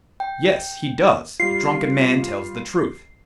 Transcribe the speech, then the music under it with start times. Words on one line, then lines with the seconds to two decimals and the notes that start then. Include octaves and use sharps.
"Yes, he does, a drunken man tells the truth."
0.20 G5
1.40 G3 F4 C7